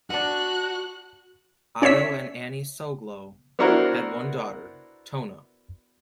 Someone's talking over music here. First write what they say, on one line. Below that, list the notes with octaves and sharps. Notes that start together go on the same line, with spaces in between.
Otto and Annie Soglow had one daughter, Tona.
B3 D4 F#4 F#6
C#4 C#5 D5 E5 B6
B3 D4 E4 F#4 A#4 C5